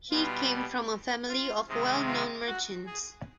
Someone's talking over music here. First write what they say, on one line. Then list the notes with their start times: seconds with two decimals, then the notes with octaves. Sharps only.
He came from a family of well known merchants.
0.10 B2 G3 F4
1.29 F4
1.68 C3 D#3 G#3
2.07 F4
2.47 F#4
2.86 G#4